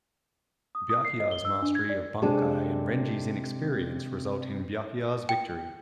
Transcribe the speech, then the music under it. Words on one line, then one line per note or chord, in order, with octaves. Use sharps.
Byakuya's mastery of bankai and Renji's inexperience result in Byakuya's victory.
D#6
D#6
C7
D#5
G7
E6
D4
G#6
D5
C3 G#3 D4 A4
G5